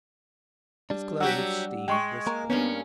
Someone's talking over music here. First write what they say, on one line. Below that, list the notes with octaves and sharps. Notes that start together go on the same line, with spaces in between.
His clothes steamed briskly.
G3 D4
F#3 F#4 G4 F#5 E6
G#3 G5 C6 C#6
A#3 A#4
G2 B2 B3 C#4